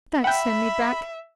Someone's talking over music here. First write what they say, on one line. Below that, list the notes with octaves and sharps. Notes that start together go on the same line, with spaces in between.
Don't send me back!
E5 F#5 G5 B5